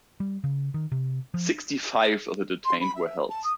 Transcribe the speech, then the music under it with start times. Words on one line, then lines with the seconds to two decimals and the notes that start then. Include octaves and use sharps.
Sixty-five of the detained were held.
0.20 G3
0.44 C#3
0.74 D#3
0.92 C3
1.34 F3
2.65 C6
2.80 B5
2.94 E5
3.29 A5
3.43 D#6